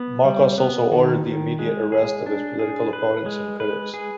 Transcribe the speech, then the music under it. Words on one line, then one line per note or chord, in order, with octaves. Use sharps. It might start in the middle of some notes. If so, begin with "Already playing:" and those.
Marcos also ordered the immediate arrest of his political opponents and critics.
Already playing: B3
G3
B3
D#3
D#3
G#3
G#4
D4
G#4
B4
G#3
B4
G#4